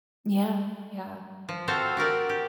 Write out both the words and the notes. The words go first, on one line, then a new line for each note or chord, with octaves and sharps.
Yeah. Yeah.
F3
C4 F#4 A4 C5 F5
F#4 G4 A#4 D5
G4